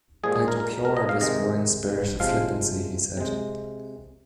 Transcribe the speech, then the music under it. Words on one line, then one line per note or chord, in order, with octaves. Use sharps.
"I deplore this growing spirit of flippancy," he said.
A#2 F3 G#3 G#4
G#4
A#4
A#4
A#4
D#5
F5
C3 D#3 G#3 D#5
C3 F3 G#3 F5
C3 G#3